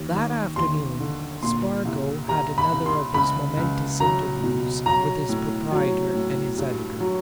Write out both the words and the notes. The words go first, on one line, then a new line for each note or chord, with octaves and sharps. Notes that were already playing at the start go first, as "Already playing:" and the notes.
That afternoon Spargo had another of his momentous interviews with his proprietor and his editor.
Already playing: D#2
D#2
D#2 C6
D3
A#2 C6
C2
G3 A#5
B5
C2
C6
C#2 B5
C#2
F#3 A#5
B2
F#3 A#5
A2
F#3
A2
G2
F#3